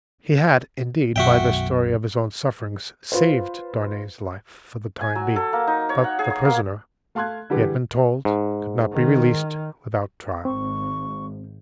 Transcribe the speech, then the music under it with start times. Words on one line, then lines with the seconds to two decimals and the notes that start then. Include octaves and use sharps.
He had, indeed, by the story of his own sufferings, saved Darnay's life for the time being, but the prisoner, he had been told, could not be released without trial.
1.16 B1 F#2 B2 F#4 E5 G5
3.12 F4 B4 C5
5.01 G#5
5.15 F#3
5.36 A4
5.53 A#3
5.67 D#4
5.89 C#5
6.04 F#5
6.19 G#4
6.30 C#6
6.45 A#3
7.15 A3 F5 A5 C6 F#6 G#6
7.50 D3 E3 G3 G4 G#4 B4
8.25 G#2
8.92 D#3
10.45 G#1 C4 C#6